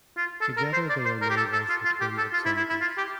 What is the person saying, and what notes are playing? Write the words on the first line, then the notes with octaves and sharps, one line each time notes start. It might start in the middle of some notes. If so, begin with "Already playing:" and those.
Together, they are known as the "Twin Obscenities".
F4
A4
A#4
C5
D5
C5
A#4
G4
A4
A4
F4
F4
G4
A4
F4
E4
E4
E4
F4
G4